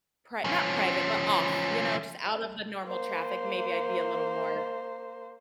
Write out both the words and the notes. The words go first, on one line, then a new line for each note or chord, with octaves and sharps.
pri not private, but, off, you know, just out of the normal traffic, maybe I'd be a little more
F3 C#4
A#3 C5